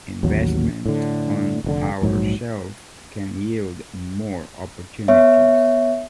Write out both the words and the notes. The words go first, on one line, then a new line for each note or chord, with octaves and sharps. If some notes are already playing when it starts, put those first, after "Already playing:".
Investment on our self can yield more opportunities.
A1 D#2 F#3
A2 D3
F1 A#2 D3
A#1 G#2 F#3
B3 C#5 E5